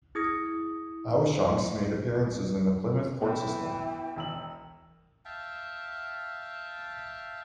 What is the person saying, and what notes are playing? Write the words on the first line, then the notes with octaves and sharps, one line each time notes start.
Awashonks made appearances in the Plymouth court system.
E4 G#4 D#6 G#6 A#6 C#7
B2 E3 G5
E1 E6 F#7
E5 F5 G5 A5